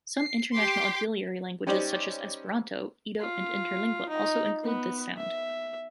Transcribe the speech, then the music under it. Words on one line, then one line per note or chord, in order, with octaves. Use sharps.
Some international auxiliary languages, such as Esperanto, Ido and Interlingua also include this sound.
C7
G4 G5 C6 D6 B6
G3 C#4 D#4 G4 C5 D5
F4
D#4
B3
E5